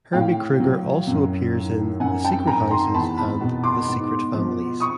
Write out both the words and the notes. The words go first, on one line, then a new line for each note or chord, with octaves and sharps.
Herbie Kruger also appears in "The Secret Houses" and "The Secret Families".
A2 F5 G5
F#3
F#2
D#3
F#2 F#5 G#5
G5 A5
D#3 G#5 A#5
A#5 C6
E2 A5 B5
A5 B5
B2
C6 D6
G#2
F3
C#6 D#6